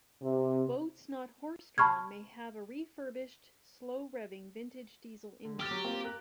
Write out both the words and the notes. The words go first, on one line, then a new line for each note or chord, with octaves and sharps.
Boats not horse-drawn may have a refurbished, slow-revving, vintage diesel engine.
C3
A5 B5 C#6 F6 G#6
D3
G4 D6 F6 A6
F#3
A#3 C4 F4
A#4 F#6